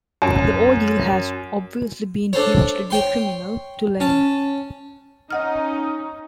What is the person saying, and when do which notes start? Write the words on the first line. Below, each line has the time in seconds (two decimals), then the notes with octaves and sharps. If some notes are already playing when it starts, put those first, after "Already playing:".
The ordeal has obviously been hugely detrimental to Lane.
0.22 F#2
2.33 D4 A4 C5 C#5
2.90 C#5 G5 C6
4.00 C#4 A5
5.31 C#4 D#4 D#5 F#5 F6